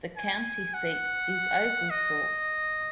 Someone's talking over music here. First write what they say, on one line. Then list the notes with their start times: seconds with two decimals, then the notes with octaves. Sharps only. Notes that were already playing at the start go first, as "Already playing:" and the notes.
The county seat is Oglethorpe.
0.17 G#5
0.74 F#5
1.90 D#5